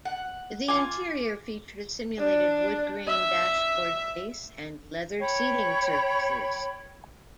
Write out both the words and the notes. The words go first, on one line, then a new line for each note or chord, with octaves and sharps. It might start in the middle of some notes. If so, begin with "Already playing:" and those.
The interior featured a simulated woodgrain dashboard face and leather seating surfaces.
F#5
F4 G#5 D6
D4
E5
C#5 G5 B5